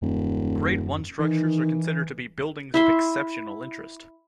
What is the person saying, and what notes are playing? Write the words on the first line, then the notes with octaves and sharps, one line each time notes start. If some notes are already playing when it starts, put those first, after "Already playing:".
Grade One structures are considered to be "buildings of exceptional interest".
D#1 F#2
D#3 E3
E4 E5 C6